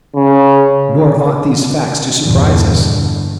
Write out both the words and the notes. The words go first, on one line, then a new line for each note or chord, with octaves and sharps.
Nor ought these facts to surprise us.
C#3
E2 G2 A#2 D3 E3